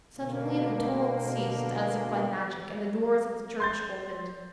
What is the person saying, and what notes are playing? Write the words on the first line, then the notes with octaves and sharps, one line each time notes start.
Suddenly the tumult ceased, as if by magic, and the doors of the church opened.
B2 D3 A#3
C6 G6 A6